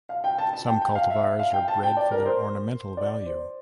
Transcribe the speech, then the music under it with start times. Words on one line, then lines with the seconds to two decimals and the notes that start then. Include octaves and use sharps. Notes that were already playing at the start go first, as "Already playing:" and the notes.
Some cultivars are bred for their ornamental value.
0.09 F5
0.24 G5
0.38 A5
0.53 A5
0.68 G5
0.81 G5
0.95 F5
1.10 E5
1.39 F5
1.53 G5
1.68 A5
1.83 G5
1.97 D5
2.11 A#4
2.25 C5
2.97 D5
3.26 C5